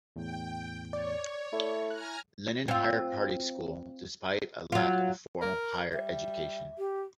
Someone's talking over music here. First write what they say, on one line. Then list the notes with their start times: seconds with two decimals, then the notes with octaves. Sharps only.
Lenin Higher Party School despite a lack of formal higher education.
0.16 E2 A2 G5
0.93 C#5 D5
1.53 A3 E4
1.90 G#5 A#5 F6 F#6
2.68 C4 F4
4.72 F#3 F4
5.42 A#4
5.93 G3 E5
6.78 G4